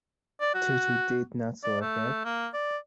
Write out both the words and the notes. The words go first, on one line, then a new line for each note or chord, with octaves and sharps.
Toto did not like it.
D5
F#4
D5
A3
A#3
D5